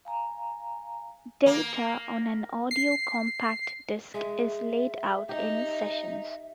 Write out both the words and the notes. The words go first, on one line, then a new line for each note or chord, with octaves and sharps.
Data on an audio compact disc is laid out in sessions.
F5 G#5 A#5
A#3
C7
G#3 E5
D#4 G4